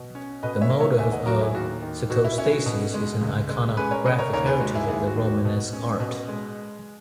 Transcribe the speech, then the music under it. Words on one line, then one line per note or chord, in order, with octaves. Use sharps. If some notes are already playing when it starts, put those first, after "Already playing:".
This motif of psicostasis is an iconographic heritage of the Romanesque art.
Already playing: B2
C#4
B2 B4 D#5
C#5 E5
A#3
C#5 E5
D#2 E5 G#5
D#5 F#5
F#3 F#4 A#4
E4 G#4
D#2 F#4
D#3
B2 F#4
E4
C#4 E4
F#4
B2
G#3
C#2
G#3
C#4 G#4 B4
A#4 C#5
C#3 B4 D#5
A#4 C#5
D#2 A#4 C#5
G#4 B4
G#3 F#4
E4 G#4
D#2 E4 G#4
F#4
D#3
F#4
B2
C#4
B2
G#3